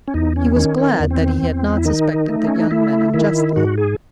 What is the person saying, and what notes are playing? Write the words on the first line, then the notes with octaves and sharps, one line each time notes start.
He was glad that he had not suspected the young man unjustly.
C#4
E2 D#4
C#4
D#3 C#4
C#4
C4
E2
C4
E2
E4
D#3 D#4
A3
C#4
D#4
A3 E4
D#3 E4
G#2 F#4
G#4